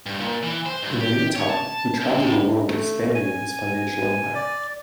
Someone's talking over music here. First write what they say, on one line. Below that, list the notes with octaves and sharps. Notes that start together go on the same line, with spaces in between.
In the meantime he traveled the world expanding his financial empire.
G2
A#2
E3
C5
G2
G4
C#5
A5
C2
A2
A3
G#5
D5